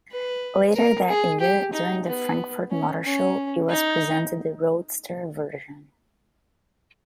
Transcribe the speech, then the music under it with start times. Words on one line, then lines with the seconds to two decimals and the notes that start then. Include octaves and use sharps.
Later that year, during the Frankfurt Motorshow it was presented the roadster version.
0.11 B4
0.75 A#4
1.09 G#4
1.40 G4
1.73 D#4
2.06 B3
2.70 C#4
3.04 C#4
3.69 D#4